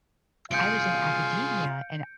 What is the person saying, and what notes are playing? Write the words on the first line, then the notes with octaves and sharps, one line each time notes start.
I was in academia, and
C2 F4 G#4 F5 G6 C#7 D7